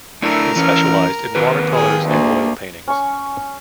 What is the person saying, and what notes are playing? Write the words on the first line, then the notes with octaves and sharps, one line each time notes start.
He specialized in watercolors and oil paintings.
A3 D4 E4 A#4
E3 C#4
D#3 G4 B4
G#4 G5
D2 A#3
C#4 C#6